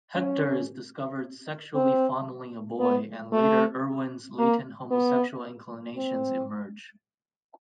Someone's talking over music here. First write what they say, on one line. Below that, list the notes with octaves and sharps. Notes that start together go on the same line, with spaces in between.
Hector is discovered sexually fondling a boy and later Irwin's latent homosexual inclinations emerge.
C#4
C4
B3
A3
A#3
B3
C4